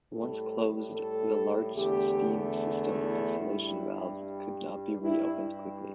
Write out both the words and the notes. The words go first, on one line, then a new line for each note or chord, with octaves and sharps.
Once closed, the large steam system isolation valves could not be reopened quickly.
A2 G3 A4
A4
E2 D3 A3 G4
E4
G2 G3
G2 G3 E4